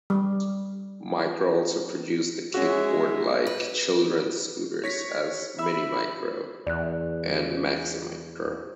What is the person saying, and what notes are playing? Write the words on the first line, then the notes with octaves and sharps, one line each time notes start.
Micro also produced the Kickboard-like children's scooters as "Mini Micro" and "Maxi Micro".
G3
G#3 C#4 F#4 E5
B4
C#5 A#6 B6
E5 B5 E6
E2 D5 F#6